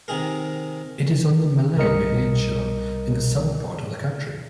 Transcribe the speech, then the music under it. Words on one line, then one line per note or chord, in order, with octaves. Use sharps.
It is on the Malay peninsula in the southern part of the country.
C3 D#3 G#4 A#4
C2 A#4 D#5 C#7